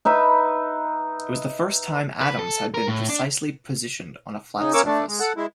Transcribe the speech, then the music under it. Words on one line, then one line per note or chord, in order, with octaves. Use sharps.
It was the first time atoms had been precisely positioned on a flat surface.
D#4 B4 E5 B5
B4
A4
A#4
A2
D4
C#3 D#4
A#3 C#4 A#4 C#5 D6 E6
A3 D4
G#3
A4 F#5
G#3 E4